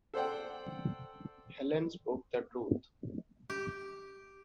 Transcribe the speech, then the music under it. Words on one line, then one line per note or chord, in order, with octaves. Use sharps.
Helene spoke the truth.
A4 C5 D5 F#5 G5
G4